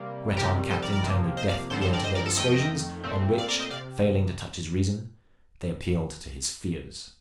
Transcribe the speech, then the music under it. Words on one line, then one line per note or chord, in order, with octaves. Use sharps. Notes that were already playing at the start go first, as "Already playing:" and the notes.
The Breton captain turned a deaf ear to their dissuasions; on which, failing to touch his reason, they appealed to his fears.
Already playing: C3 G3 A#3
F2 C3 D#3 G3 G4 A#4
A4 C5
A#4 D5
A#4 D5
C3 F3 A#3
C5 D#5
D5 F5
G2 D3 F3 C4 A4 C5
A4 C5
A#4 D5
C5 D#5
A#4 D5
A4
F2 D#3 A3 D#5 G5
A#2 A3 C4
D5 F5
A#4 D5
C5 D#5
C3 D5 F5